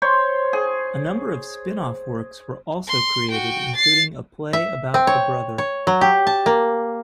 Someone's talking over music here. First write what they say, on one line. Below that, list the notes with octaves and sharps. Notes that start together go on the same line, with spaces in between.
A number of spin-off works were also created, including a play about the brother.
C5 C#5 C6
G#4
C6
F#4 G5
A6 C7
E5
C4
C#5
C#5
F#3
G4
A5
A#3